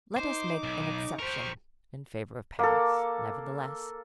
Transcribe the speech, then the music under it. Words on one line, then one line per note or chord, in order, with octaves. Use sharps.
Let us make an exception in favor of Paris, nevertheless.
D#4 C5 D6
B1
G4 A#4 C5 C#6
A#3 A4